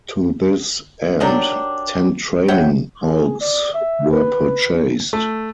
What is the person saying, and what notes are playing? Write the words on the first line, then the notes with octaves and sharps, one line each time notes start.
To this end ten training hulks were purchased.
D#3 F#3 D4 G4
C#5 E5 F#5 G5
G#4
D5
E5
B4
A3